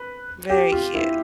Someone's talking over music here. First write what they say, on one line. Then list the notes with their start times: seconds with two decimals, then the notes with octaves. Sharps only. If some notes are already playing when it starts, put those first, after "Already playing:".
Very cute.
Already playing: B4
0.50 G4
0.72 F4
0.95 E4